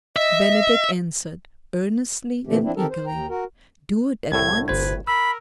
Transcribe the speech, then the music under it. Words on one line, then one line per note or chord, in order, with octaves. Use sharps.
Bennydeck answered, earnestly and eagerly: "Do it at once!"
D#5 E5
A#2 D3 E3 A3 C4 G4
F3 C4 D4 E4
D#3 C4 G4 A4 A#4
C5
D#2 G5 A#5
F#4 A#4
C2 A2 A3 G#6
G1 B4 C5 G#6
A#4 B5 E6